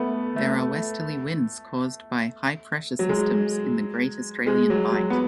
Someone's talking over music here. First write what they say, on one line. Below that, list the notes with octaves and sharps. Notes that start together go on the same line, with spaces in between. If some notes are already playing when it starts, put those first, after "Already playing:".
These are westerly winds caused by high pressure systems in the Great Australian Bight.
Already playing: A3 B3
A3
F#3
G#3
G#3
F#3
F#3
B3